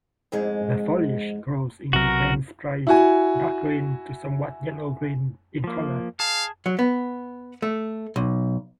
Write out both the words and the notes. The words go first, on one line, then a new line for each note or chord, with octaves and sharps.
The foliage grows in dense sprays, dark green to somewhat yellow-green in color.
F2 G#2 G#3
B1 C3 F#3 F#4 A#4
E4 F#4 G#5
F3 A#3
G#4 F5 A5
F#3
B3
A3
B1